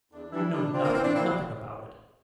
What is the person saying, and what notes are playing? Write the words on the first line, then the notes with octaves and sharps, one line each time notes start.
You know nothing, nothing about it....
E2 D4
E3 G3 D4 E4
G3 D4
C4 D4 F4
A#3
E3 C4
D4
A#3 C4 E4